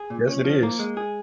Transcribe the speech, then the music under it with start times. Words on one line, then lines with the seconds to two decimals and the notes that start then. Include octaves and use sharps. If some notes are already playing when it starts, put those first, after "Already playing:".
Yes, it is.
Already playing: G#4
0.10 A#2
0.28 C#4
0.44 F3
0.63 A#3
0.79 G#3
0.97 G#4